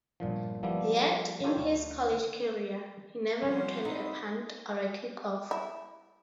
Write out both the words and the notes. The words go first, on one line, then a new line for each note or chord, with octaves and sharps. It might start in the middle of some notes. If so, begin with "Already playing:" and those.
Yet, in his college career, he never returned a punt or a kickoff.
G1 A#2 F3
F3 G3 A#3 B3 E4
F4 G4 A4 A#4 C5 C#5
D2 D5
F3 G3 C4 F#4 C5 F5
D#4 E4
E4